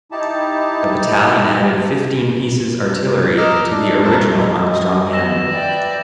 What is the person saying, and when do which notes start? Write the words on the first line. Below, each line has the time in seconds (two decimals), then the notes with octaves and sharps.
The battalion added fifteen pieces artillery to the original Armstrong cannon.
0.12 D#4 E4 G4 A5
3.38 A#4 D#5 D6 E6 F6
3.71 D4
4.04 F2 A3 A4 A#4 C5 A5
4.63 G3 D#5
5.12 B3 E6 A#6 E7
5.48 B4 D5 E5 G5